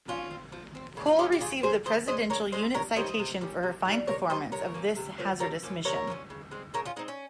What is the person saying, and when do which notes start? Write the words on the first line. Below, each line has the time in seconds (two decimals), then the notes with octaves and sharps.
"Cole" received the Presidential Unit Citation for her fine performance of this hazardous mission.
0.08 F3 C#4 F4
0.31 C4
0.52 F3
0.75 C4
0.97 C#3
1.08 F4
1.18 G#3 C#4 D#4 G4
1.32 G4
1.41 C#3 F4 G#4
1.63 G#3 C#4 G#4 C5
1.85 C#3 C5 D#5
2.08 G#3 C#4 C5 D#5
2.30 C#3 A#4 C#5
2.52 G#3 C#4 C5 D#5
2.74 C3 A#4 C#5
2.96 D#3 G3 C#4 C5 D#5
3.19 C3
3.41 D#3 G3 C#4
3.63 C3
3.85 D#3 G3 C#4
4.07 C3 A#4 C#5
4.30 D#3 G3 C#4 C5 D#5
4.52 C3 A#4 C#5
4.74 F3 A#3 C#4
4.96 C3
5.18 F3 A#3 C#4
5.40 C3 A#4 C#5
5.63 F3 A#3 C#4
5.85 C3 A#4 C#5
6.07 F3 A#3 C#4
6.30 C#3
6.51 G#3 C4
6.74 C#3 A#4 C#5
6.85 C#4 F4
6.96 G#3 C4 D#4
7.08 C#4